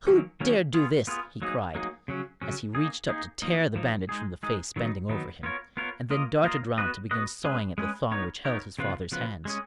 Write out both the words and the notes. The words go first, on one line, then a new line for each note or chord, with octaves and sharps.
"Who dared do this?" he cried, as he reached up to tear the bandage from the face bending over him, and then darted round to begin sawing at the thong which held his father's hands.
D#3 F#3 A#3 C#4
D#3 F#3 A#3 C#4
B3 F4 G#4
B3 F4 G#4
F#3 A#3 D#4 G#4
F#3 A#3 D#4 G#4
C#3 F#3 C#4
C#3 F#3 C#4
A#3 D#4 G#4
A#3 D#4 G#4
F3 A#3 D#4
F3 A#3 D#4
G#3 D#4 G#4
G#3 D#4 G#4
D#3 F#3 B3 D#4
D#3 F#3 B3 D#4
B3 F4 A#4 C#5
B3 F4 A#4 C#5
A#3 F4 A#4 D#5
A#3 F4 A#4 D#5
B3 F#4 B4 D#5
B3 F#4 B4 D#5
G#3 C#4 G#4 B4
G#3 C#4 G#4 B4
B3 D#4 A#4 C#5
B3 D#4 A#4 C#5
C#3 F3 B3 F4 B4
C#3 F3 B3 F4 B4
G#3 C#4 G#4